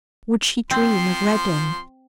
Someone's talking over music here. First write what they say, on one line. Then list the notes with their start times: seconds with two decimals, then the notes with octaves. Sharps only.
Would she dream of Reddin?
0.71 F3 C4 C6